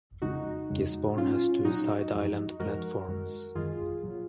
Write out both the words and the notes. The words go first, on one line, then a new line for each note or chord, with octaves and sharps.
Gisborne has two side island platforms.
F2 C#3 G#3 D#4 F#4
F2 C#3 G#3
A#2 F#3 C#4 F4
A#2 F#3 D#4 F#4
F#2 F3 G#3
F#2 F3 G#3 F#4 A#4
F#2 D#3 G#3
F#2 D#3 G#3 F4 G#4
A#2 F#3